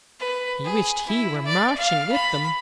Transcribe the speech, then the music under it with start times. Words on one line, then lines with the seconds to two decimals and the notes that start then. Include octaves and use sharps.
He wished he were marching with them.
0.19 B4
0.64 G#4
1.06 E4
1.45 D5
1.77 F5
2.11 B5